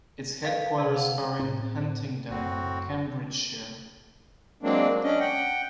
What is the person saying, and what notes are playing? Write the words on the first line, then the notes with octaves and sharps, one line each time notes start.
Its headquarters are in Huntingdon, Cambridgeshire.
A4 B4 F5
C3 G#4
F5 F#5
A2 C4
F#1 A2 C4 F#4
F#3 G#3 A#3 C4 D4
C#4 D4 D#5
F#5 G5